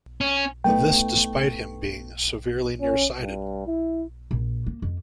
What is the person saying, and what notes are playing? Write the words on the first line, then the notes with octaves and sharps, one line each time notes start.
This despite him being severely near-sighted.
C#4
A3 B3 D#4 G5
C#4
G2
E4
A#1
A#3
F2